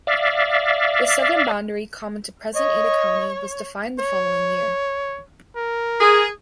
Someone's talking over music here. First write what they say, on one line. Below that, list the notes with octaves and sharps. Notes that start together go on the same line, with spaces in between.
The southern boundary common to present Ada County was defined the following year.
D5 E5 F5
C#5 D#5
C#5
A#4
G#4